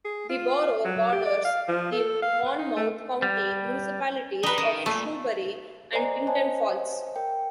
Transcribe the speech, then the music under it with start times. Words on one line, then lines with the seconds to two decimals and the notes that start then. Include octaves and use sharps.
The borough borders the Monmouth County municipalities of Shrewsbury and Tinton Falls.
0.05 G#4
0.29 F4
0.85 F#3
1.12 G4
1.25 D5
1.45 F5
1.68 F3
1.92 A4
2.22 F5
2.46 B4
2.58 D#4
2.76 A3
3.22 G3
4.43 G3 D#4 B4
4.58 D#3 D#5
4.86 A#2 A3
5.93 C5 D5 D#5 G#5 A#5
6.27 C5 C#5 D#5 G#5 A5
7.16 A#4 G5